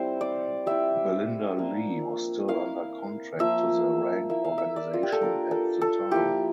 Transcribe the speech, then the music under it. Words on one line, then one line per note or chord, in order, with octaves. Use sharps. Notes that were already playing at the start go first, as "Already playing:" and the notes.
Belinda Lee was still under contract to the Rank Organisation at the time.
Already playing: G3 C4 E4 C5
D5
G3 C4 E4 E5
F3 A#3 D4 F4
A#3 E4 F5
F3 A#3 F4 E5
A#3 E4 E5
F5
E5
D5
F4
G4
A4
A#3 D4 F4 A#4
A4
A4
F3 A#3 E4 G4